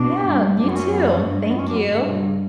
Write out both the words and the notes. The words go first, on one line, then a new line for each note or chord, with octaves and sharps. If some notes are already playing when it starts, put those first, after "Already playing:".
Yeah, you too, thank you,
Already playing: B2 D4
G2
F#2 D4
B3
C#4
B3
G3
G2 A3
A3
B3
F#2 C#4
D4
B3
G2 D3
A2
B2
D3
C#3